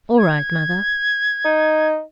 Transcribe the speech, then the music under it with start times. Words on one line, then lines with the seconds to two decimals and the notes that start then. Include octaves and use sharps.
'All right, Mother.
0.18 G#6
1.45 D#4